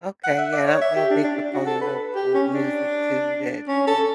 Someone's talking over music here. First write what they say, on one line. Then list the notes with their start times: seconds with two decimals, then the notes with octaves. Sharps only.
Okay yeah, and I'm I'm a big proponent of of music too that, um,
0.24 F#5
0.38 E5
0.53 D5
0.66 C#5
0.81 E5
0.96 G4
1.10 D4
1.24 D4
1.38 D4
1.53 F#4
1.67 A4
1.81 B4
2.15 G4
2.34 C#4
2.54 D4
3.68 C#4
3.87 A4